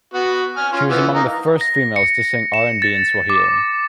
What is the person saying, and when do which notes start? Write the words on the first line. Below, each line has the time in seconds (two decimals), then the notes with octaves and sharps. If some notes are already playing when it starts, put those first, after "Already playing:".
She was among the first females to sing R and B in Swahili.
0.14 B3 F#4 F#5
0.57 G#5 F6
0.72 C#4 F4
0.89 E3 F3 B3
1.15 D#5 F5 A#5
1.61 A#6
1.96 C#7
2.54 E7
2.82 A6
3.30 D6